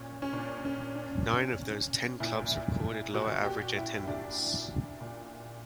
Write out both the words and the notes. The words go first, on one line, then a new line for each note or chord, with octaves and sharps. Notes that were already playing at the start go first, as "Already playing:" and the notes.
Nine of those ten clubs recorded lower average attendance.
Already playing: A#2 C#4
C#4
A#2 D4
C#4
D4
A#2
A#2 E4
A#2 F#4
G4
E4
A#2 D4
A#2